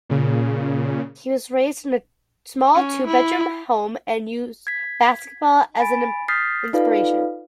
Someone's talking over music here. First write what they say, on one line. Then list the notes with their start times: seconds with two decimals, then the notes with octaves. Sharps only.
He was raised in a small two-bedroom home and used basketball as an inspiration.
0.10 A#2 C#3
2.75 C#4
3.07 E4
4.67 G#6 B6
5.79 G#5 B5 A6 D7
6.28 D#6 F6 G6 A6 B6 C7
6.73 D#4 F4 A4 B4 D5 F5